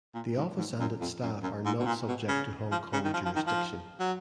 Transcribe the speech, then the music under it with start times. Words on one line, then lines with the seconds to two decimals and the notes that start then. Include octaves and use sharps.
The office and its staff are not subject to Hong Kong jurisdiction.
0.15 A#2
0.37 G#2
0.58 G#2
0.80 F#2
1.00 F2
1.22 F#2
1.43 F#2
1.65 G#2
1.79 B2
1.86 A#2
2.08 B2
2.28 C#3
2.72 F3
2.93 C#3
3.04 D#3
3.14 F3
3.25 F3
3.35 D#3
3.47 F3
3.99 F#3